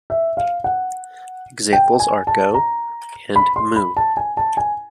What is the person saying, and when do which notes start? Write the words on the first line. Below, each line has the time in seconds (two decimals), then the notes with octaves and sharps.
Examples are "go" and "mu".
0.10 E5
0.37 F5
0.64 F#5
1.73 G5
2.00 G#5
2.27 A5
2.54 A#5
3.36 B5
3.56 C6
3.76 B5
3.97 A5
4.17 G#5
4.37 A5
4.57 G#5